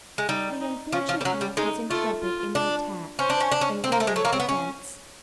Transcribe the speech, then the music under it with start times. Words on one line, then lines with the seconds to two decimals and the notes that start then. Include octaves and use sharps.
The unfortunate youth was intrepid in the attack, and rude in the defence.
0.18 G#3
0.29 G3 D#4
0.61 D#4
0.92 F3 C#4
1.09 F3
1.21 G3
1.25 F#3 C#4
1.41 G3
1.57 G#3 D#4
1.90 A3 F4
2.22 F4
2.55 D4
3.19 C#4 C5
3.30 D4
3.40 C#4
3.52 D4
3.61 C#4
3.84 C4 C5
3.92 A#3
4.00 A3
4.07 G#3
4.16 A3 C#5
4.25 A#3
4.33 C4
4.40 B3
4.49 C#4